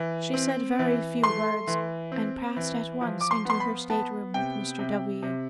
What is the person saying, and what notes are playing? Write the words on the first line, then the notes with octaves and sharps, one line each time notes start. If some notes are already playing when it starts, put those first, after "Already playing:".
She said very few words, and passed at once into her state-room with Mr. W.
Already playing: E3
C4
E3
A3 C6
E3
C4
E3
F3
D6
C6
B3 C6
B5
B3 A5
C3 G5
C3
C3